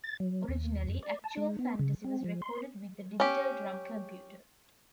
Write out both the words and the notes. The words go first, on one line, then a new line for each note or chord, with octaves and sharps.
Originally, "Actual Fantasy" was recorded with a digital drum computer.
A6
F#3
D#2
F2
D5
A5
G#3
B3
C#3
C4
F3
C6
C#4 G4